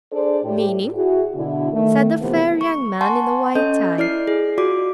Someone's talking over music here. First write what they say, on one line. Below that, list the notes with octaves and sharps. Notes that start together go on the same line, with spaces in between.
"Meanin'?" said the fair young man in the white tie.
D4 G#4 A4 C5 D5
A2 G4
E4 F#4 G#4
B2 D3 E4
D#3 A3
C3 E3 F3 A#3 B3
C#6
F#5 G#5 A5 C6 C#6
C#4 A4 D#5 G6
E4 D5 F6 C7
G#4
F4 F#4 D5 D6